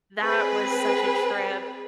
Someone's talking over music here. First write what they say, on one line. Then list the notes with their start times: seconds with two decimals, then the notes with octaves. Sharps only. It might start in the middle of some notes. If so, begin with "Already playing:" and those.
That was such a trip.
0.21 C4 G#4 B4